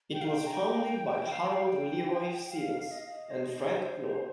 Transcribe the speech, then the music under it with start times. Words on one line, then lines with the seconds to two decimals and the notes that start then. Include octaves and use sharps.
It was founded by Harold Leroy Stevens and Fred Knorr.
0.13 G5
0.21 F5
0.30 G5
0.47 A#5
0.53 G5
1.32 F5
1.41 G5
1.52 F5
1.62 G5
2.51 F5
2.91 D#5
2.99 F5
3.07 D#5
3.31 C5
3.45 D#5
3.58 C5